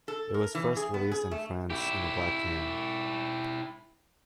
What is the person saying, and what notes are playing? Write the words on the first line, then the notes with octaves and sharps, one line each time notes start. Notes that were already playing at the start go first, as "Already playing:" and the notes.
It was first released in France in a black can.
A4
A#4
E3
G#4
B3
G#4
A3
E4 G4